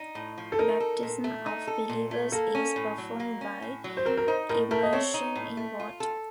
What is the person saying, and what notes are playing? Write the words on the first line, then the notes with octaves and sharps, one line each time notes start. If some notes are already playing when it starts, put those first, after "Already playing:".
Baptism of believers is performed by immersion in water.
Already playing: D#4
A2
F3
A4
D#4 A#4
A4
A#2
A3
D#4
A4
A#2
A3
A#3 A4
C#4
A2
F#3
A#3
C#4
A2
F#3
C5
C4 A#4
A#4
D#4 C5
A2 A#4
A3 A#4
D#5
C4 C#5
D#4
A2
A3
F4
A4